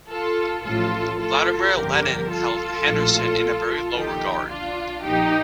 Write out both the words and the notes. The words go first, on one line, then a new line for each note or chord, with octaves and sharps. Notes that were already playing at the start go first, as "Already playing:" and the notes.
Vladimir Lenin held Henderson in very low regard.
F4 A4
A1 A2 F3 F4 A4
F4 A4
G1 F2 D3 F3 G4 A#4
F4 A4
A#1 A2 F3
D#2 D3 F3 D#4 G4
D4 F4
A#1 A#2 F3 D#4 G4